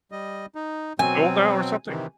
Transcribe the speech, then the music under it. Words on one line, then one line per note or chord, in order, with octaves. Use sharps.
old now or something.
G3 D#5
D#4
B2 F#3 C4 G#5
C3 D#3 E3